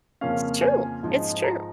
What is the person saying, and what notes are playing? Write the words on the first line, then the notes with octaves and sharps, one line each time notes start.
It's true, it's true.
F2 C#3 F3 A#3 C#4 F5
G#5
G#2 F3 G#3 D#4
A#5